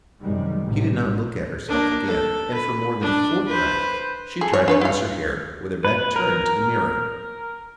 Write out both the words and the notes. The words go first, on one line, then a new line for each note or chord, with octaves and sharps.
She did not look at herself again, and for more than a fortnight she tried to dress her hair with her back turned to the mirror.
F#2 C3 D#3 G3 G#3
A1 C3 G3
A#3 D4
A4
B4
D4
B4 C5
G#4 A4
C#5
D4 B4 C#5
E4 F5
B4
A#4